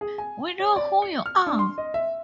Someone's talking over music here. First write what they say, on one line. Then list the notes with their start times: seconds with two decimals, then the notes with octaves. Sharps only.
We know who you are.
0.01 G#4
0.18 G#5
0.60 C#5
0.76 D5
1.02 C#7
1.26 F6
1.46 D4
1.59 C6
1.78 D#5
1.94 E5